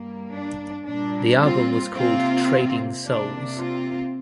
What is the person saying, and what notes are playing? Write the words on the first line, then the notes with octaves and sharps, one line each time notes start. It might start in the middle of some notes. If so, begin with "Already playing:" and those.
The album was called "Trading Souls".
Already playing: G2 G3 A#3
D4
A#2 G3 A#3 D4
C4 F4
C3 A#3 C4 F4
C3 A#3 D4
C4 F4